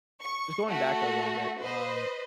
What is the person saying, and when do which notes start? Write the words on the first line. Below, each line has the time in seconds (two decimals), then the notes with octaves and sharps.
just going back a little bit, um,
0.22 C#6
0.69 A3 F#4 F#5
1.61 B4 C5 D#5